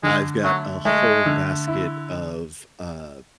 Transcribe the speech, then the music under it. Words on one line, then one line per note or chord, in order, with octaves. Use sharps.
I've got a whole basket of, uh,
D3 G#3
F#3 A3
G#3 A3
D3
E4